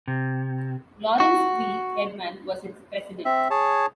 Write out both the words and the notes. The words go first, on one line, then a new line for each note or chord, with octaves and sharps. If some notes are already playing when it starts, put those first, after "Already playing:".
Lawrence V. Redman was its president.
C3
F#4
C4 E5
G#4 C#5 A5